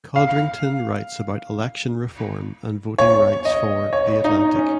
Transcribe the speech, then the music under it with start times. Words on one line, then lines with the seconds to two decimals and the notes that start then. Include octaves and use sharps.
Codrington writes about election reform and voting rights for "The Atlantic".
0.16 F5
2.98 C#5
3.45 D#5
3.93 C#5
4.24 D#4
4.56 C#4